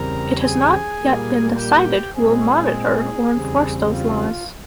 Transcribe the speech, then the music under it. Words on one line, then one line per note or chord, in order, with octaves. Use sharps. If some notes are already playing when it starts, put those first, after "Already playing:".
It has not yet been decided who will monitor or enforce those laws.
Already playing: E2 C#3 G3 C4 A#4 A#5
G#4 G#5
A#2 G3 A#3
G4 G5
A#2 G#3 C4 G#4
E2 C#3 G3 C4
F4